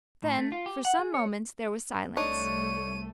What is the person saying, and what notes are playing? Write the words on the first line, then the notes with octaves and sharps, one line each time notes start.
Then, for some moments, there was silence.
A2
A3
F4
G4
F#5
G#4
C#5
C2 A3 D4 D#4 C#5 D#7